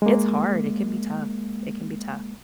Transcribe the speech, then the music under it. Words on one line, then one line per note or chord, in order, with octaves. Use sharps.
It's hard, it can be tough, it can be tough.
G#3 A#3